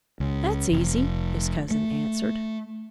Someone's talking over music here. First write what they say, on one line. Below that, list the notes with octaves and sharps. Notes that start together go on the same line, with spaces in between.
"That's easy," his cousin answered.
C#2
F1
A3